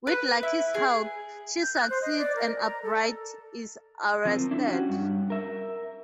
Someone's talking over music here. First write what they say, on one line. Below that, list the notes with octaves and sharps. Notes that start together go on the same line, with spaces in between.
With Lucky's help, she succeeds and Albright is arrested.
B4
E4
G#4
G6
F#6
C5
D#5
D5
A#4
A#5
A4
F3 C4 A#4
D4 E4 A4
C#4 F#4 G4
G2
A#4 E5